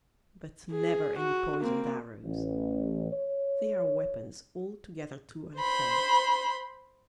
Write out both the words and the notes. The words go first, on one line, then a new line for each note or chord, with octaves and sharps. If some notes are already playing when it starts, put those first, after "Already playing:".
But never any poisoned arrows--they are weapons altogether too unfair.
G#4
F#4
A#3 C4
A1
C#5
C5 B5 C6